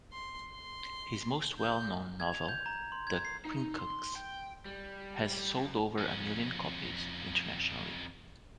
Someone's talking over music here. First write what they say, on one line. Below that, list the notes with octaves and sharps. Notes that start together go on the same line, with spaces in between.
His most well-known novel, "The Quincunx", has sold over a million copies internationally.
C6
C6
G6
G#6
F7
G6
A#5
C6
G#6
C7
D#4
C6
G5
G3
F#2
F2 C#4